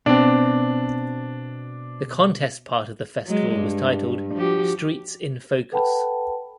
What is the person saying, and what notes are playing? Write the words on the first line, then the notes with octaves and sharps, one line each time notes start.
The contest part of the festival was titled "Streets in Focus".
B2 C4 D4
F#3 G#3
G2
F3 F#4 G4
A4 B4 F#5 G5 A5 B5